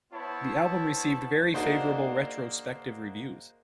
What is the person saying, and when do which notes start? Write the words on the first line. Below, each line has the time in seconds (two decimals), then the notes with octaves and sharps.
The album received very favourable retrospective reviews.
0.13 B3 E4 C5 C#5 A5
1.54 A#3 D4 D#4 F#4 G#4 C5